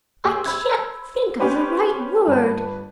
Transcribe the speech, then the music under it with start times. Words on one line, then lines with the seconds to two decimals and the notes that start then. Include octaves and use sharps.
I can't think of the right word.
0.24 D#2 G#4 G5 C6 E6
0.46 C5 B5 E6 G#6
1.40 C#4 D4 G4 B4 C5
2.27 G1 B4 A5